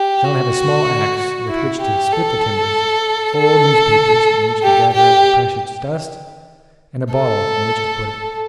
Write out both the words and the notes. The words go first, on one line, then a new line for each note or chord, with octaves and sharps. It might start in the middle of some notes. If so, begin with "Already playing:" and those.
John had a small axe with which to split the timbers, four old newspapers in which to gather up the precious dust, and a bottle in which to put it.
Already playing: G4
F#4
E4
G4
A4
A4
G4
G4
A4